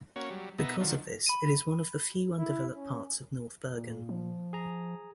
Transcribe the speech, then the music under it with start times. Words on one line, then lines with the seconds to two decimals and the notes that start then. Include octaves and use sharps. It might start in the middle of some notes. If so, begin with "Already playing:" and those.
Because of this, it is one of the few undeveloped parts of North Bergen.
0.16 A#3 C#4 F#4 C#5
0.30 F#3 G3
0.59 B2 B3 D#4 E5 A#5
0.80 D3 D#3 F3 F#3
1.26 B5 D#7
2.38 E4
2.75 C#4
3.78 A#2
4.09 F3
4.53 G#4 A#5